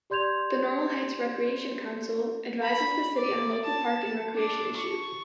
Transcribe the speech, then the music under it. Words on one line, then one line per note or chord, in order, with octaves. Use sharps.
The Normal Heights Recreation Council advises the city on local park and recreation issue.
G4 D5 C6 G6 G#6 F7
B5
D5
A5
D4
C#6